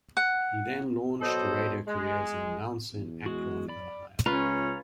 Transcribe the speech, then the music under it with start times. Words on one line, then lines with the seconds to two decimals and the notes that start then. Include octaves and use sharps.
He then launched a radio career as an announcer in Akron, Ohio.
0.17 F#5
1.22 B2 F#3 A4 C5 D#5
1.87 G#3
2.93 E2
3.26 G#3 F#4
3.68 D5 B5
4.26 C#2 C#4 F4 B4 A#5 C#6